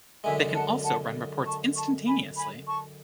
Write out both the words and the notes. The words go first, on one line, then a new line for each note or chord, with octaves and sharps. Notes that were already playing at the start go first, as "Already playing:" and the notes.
They can also run reports instantaneously.
F#2 D3 G#3 E5 G#5
F#5 A5
F#5 A5
A5 C#6
A5 C#6
G#5 B5
G#5 B5
A5 C#6